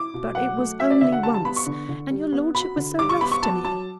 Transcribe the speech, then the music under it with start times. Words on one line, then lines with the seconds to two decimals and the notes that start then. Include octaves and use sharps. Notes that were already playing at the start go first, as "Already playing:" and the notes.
But it was only once; and your Lordship was so rough to me!
Already playing: E4 D6
0.14 B2
0.35 F#3 F#5
0.58 A3
0.80 F#4 E5
0.91 D5
1.01 D3 E5
1.12 F#5
1.23 G3 A5
1.34 A5
1.45 B3 B5
1.56 C#6
1.66 D3
1.89 D3
2.10 G3
2.33 B3
2.55 F#4 B5
2.77 D3
2.98 G3 D6
3.09 C#6
3.21 B3 B5
3.32 C#6
3.43 F#4 A5
3.65 F#3 A5